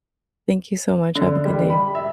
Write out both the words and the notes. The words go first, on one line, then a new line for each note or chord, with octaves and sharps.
Thank you so much, have a good day.
D3
G3
B5
E5